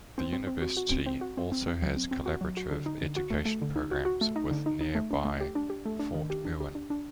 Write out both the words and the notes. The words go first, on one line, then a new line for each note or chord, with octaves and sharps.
The university also has collaborative educational programs with nearby Fort Irwin.
C4
C4
C4
F#4
F#4
C4
C4
F#4
C4
C4
C4
F#3
C4
C4
F#4
F#3
F#4
D3
D#4
D3
F#4
A3
A3
D3
D#4
F#4
F#4
A3
D#4
D3
D#4
D#4
A3
D4
A3
G4
D4
G4
A3
D4
D#3
G4
D4
G4
D4
D4